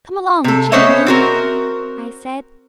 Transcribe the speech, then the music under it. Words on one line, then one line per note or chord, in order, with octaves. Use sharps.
"Come along, Jamie," I said.
C3 A4
B3 C#4 C5 C#5 D#5 E5
C4 F#4 A#4